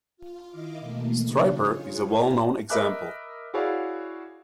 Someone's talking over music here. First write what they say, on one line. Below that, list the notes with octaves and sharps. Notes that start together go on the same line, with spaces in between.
Stryper is a well-known example.
F4
D#3 E4 D#5 F5 D6
B2 E3 A3 A#3
C#3 F#3 D4 D#4
F4 G#4 C#5
E4 B4 C5 F5
A#4 D#5 E5 B5 D6 F#6
E4 F#4 G#4 C#5 D5 F5